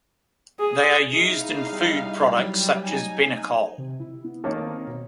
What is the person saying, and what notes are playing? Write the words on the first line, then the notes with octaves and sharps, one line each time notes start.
They are used in food products such as Benecol.
G#4
D#4 E4 G#4 F5
G3
F#3
D#4 G#5
C3
E4
B3
D#3 A#3 C#4 A5
C4
B2